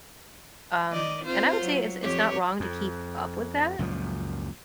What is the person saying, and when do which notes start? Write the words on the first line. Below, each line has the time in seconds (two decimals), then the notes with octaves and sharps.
Um, and I would say it's it's not wrong to keep up with that.
0.92 D#3 D5 D#5
1.25 C4 F4 C5
1.63 F#3
2.02 F2 G4 C#5
2.60 F2
3.79 C#2 F#2 A#2 F3